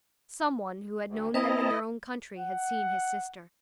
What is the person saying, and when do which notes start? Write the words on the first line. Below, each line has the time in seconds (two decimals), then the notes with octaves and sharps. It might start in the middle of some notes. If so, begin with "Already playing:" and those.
Some one who had known them in their own country had seen his sister.
1.07 D2
1.34 C4 E4 B4 D#5 A5 A#5 D#6
2.39 F#5